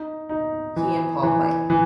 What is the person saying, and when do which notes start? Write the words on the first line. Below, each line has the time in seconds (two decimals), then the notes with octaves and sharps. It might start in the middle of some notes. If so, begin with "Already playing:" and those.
He and Paul fight.
Already playing: D#4
0.29 D#4
0.76 E3
1.23 E3
1.70 E3